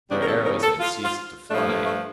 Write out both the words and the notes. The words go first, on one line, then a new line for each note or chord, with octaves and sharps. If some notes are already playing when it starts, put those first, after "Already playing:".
Their arrows had ceased to fly.
E2 C#3 G3 D4
A#4
A4
A#4
A4
F4
F4
G2 F3 A3 D4
A#3
A3